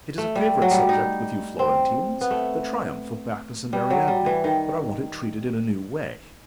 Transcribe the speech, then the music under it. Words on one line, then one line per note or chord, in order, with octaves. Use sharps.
It is a favourite subject with you Florentines--the triumph of Bacchus and Ariadne; but I want it treated in a new way.
A3
G3
F#3
G3
D#4
C4
B3
A3
G3
F#3
G3
E3
D#3